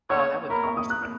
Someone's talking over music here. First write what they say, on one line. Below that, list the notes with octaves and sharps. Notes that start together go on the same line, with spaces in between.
oh, that would be awesome.
C#5 C#6
A#4 B5
C#6
D#6
F#6
F#6